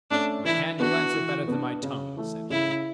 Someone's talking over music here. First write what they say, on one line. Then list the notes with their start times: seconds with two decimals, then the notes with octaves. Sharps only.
'My hand will answer better than my tongue,' said he.
0.11 A3 C#4 D4
0.45 E3 E4
0.79 B3 D4 F#4
1.13 E3
1.48 B3 D4
1.82 C#3
2.16 E3 A3
2.50 C#3 E4